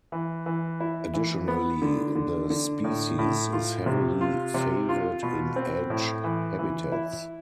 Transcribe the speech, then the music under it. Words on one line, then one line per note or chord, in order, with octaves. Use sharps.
Additionally the species is heavily favored in edge habitats.
E3
E3
E4
E3
B3
D3
D3
D3
A2
A2
F4
C3
F4
C3
F4
B2
C4
A2
E3
E3
E4